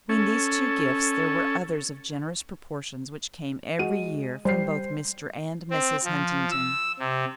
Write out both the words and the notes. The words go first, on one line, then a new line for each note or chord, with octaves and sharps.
Between these two gifts there were others of generous proportions which came every year from both Mr. and Mrs. Huntington.
C#4 A4
G#3 F#4 D#7
G3 C5 C7
C4
F3
E6
C3